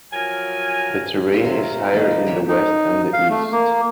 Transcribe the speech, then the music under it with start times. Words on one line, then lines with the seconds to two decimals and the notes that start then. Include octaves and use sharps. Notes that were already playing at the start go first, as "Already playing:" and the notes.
The terrain is higher in the west and the east.
0.13 F3 F#3 A#4 G#5
1.32 F4 C#5 E5 C6
1.44 C3 A#4 C#5 C6
1.64 A#4
1.94 G3 A#3 D#4
2.11 G3
2.26 G4 G#4 C#5 E5
2.48 D#4
3.13 F5
3.30 A3
3.52 A#3